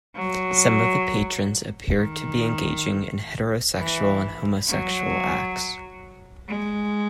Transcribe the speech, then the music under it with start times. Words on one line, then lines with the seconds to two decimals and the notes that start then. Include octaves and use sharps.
Some of the patrons even appear to be engaging in heterosexual and homosexual acts.
0.15 F#3
1.96 D#3
3.76 E3
4.67 F#3
6.48 G#3